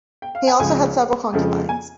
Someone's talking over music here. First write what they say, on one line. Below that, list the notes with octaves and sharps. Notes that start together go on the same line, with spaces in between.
He also had several concubines.
G5
F5
G#5
C#2 C#3 F3 G#3 G#5
F2 C#3 F3 G#3
G#5